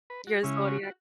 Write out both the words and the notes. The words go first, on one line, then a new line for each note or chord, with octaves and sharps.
Your zodiac
B4
F#4
C#3 G#3 C#4 E4
F#4
F#4